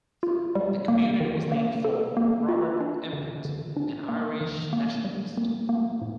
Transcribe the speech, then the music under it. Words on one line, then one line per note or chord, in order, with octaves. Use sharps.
The community was named for Robert Emmet, an Irish nationalist.
F4
G3
A#3
D#3
A#3
A4
A#3
F4
D4
D3
D3
D4
A#3
D#3
A#3
G3
A#3
A#3
A2